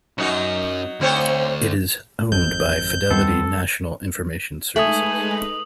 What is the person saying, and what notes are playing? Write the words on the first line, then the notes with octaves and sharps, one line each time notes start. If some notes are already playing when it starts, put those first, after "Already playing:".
It is owned by Fidelity National Information Services.
F#2 F#3 D#4 F#4
D2 C4 C5 C#5
G#1 F2 G6
D#2 G3 B3 C4 A4
G#3 A3 D#4 B4 G#5 D#6 F#7